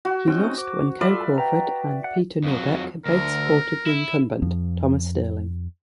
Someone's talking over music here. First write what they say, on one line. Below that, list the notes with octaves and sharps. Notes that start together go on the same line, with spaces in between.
He lost when Coe Crawford and Peter Norbeck both supported the incumbent, Thomas Sterling.
F#4
C4 C#4 D#4
C5 D6
F4 A4 D5 E5 B5 F6
B4 G5 A#5
F#5
F2 F#3
D2 A#4
E4
F2 F3